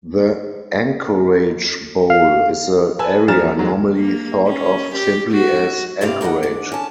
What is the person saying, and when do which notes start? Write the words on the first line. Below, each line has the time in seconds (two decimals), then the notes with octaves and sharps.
The "Anchorage Bowl" is the area normally thought of simply as Anchorage.
2.10 F5
2.99 B4 G#5 A5 E6
3.28 F3 G#5 A#5 F6 A6 E7
3.57 D#3 F#3 G#3
3.97 A#3
4.46 C#4
4.95 G4
5.32 F#4
6.01 G2 C3 D4 G4 F5
6.21 D#2 A#3 C#5 D#5 F#5
6.43 G#2 D4
6.72 C#4 A5